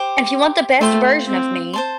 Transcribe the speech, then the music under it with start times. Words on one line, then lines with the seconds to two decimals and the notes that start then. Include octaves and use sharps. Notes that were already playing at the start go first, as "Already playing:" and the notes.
if you want the best version of me,
Already playing: G4 C5 G5
0.81 A3 F4 C5 G5 C6
1.27 C4
1.73 C5 A5 C6